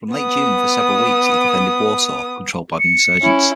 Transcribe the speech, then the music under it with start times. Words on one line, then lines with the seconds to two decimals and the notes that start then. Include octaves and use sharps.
From late June, for several weeks, he defended Warsaw, controlled by the insurgents.
0.15 B3 D#6
2.80 C#7
3.21 C#4 E4